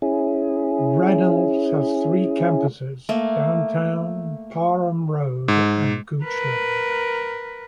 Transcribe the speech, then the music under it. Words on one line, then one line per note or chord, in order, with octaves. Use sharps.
Reynolds has three campuses: Downtown, Parham Road, and Goochland.
C#4 E4 G#4
A3 A#3
G#2
A#4 B4